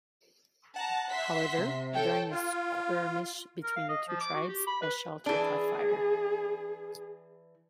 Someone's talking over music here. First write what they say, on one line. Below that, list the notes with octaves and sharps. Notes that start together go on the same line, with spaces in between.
However, during a skirmish between the two tribes, a shelter caught fire.
F#5 A5 A#5
E5 C6 B6
C3
A4 C#5 G5
F4
A#4
F5
D#5
F3
D6
F#4
G4
B5
B4
E3 D4 G#4